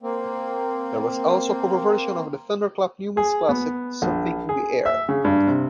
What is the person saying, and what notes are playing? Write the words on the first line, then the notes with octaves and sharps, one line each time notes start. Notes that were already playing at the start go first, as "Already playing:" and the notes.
There was also a cover version of Thunderclap Newman's classic "Something in the Air".
A#3 C4
G#4
B3
A#1
G#4
E5
C#3
G2
C3